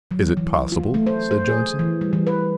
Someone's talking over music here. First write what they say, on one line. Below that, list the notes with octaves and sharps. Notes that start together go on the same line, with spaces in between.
"Is it possible?" said Johnson.
F#3
E3
F4
A3
C5
C5
G#4
E3
G3
E3
B4